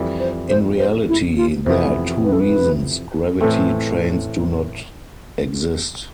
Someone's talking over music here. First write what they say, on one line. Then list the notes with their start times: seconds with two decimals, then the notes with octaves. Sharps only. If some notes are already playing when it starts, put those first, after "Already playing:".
In reality, there are two reasons gravity trains do not exist.
Already playing: F2 E3 G3
0.20 C5
0.49 C5
0.78 C5
1.08 E4
1.37 F4
1.65 F2 C3 E3 B3 C5
2.24 B4
2.33 A4
2.40 B4
3.41 A2 E3 A3 C4 A4